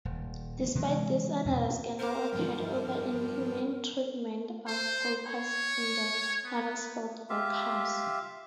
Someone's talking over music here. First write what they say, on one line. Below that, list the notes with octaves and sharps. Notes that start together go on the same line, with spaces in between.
Despite this another scandal occurred over inhumane treatment of paupers in the Huddersfield workhouse.
D#1
C3 E3 F#3 G#3
E2 B2 C4
A#4 C5 A#5 D6
G2 F3 G3
C5
C#5
B3
F4 G4 E5 F5